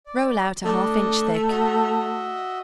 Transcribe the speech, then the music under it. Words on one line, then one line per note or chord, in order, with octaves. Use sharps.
Roll out a half inch thick.
D5
A3 D4 D#5
F#4 D#5 E5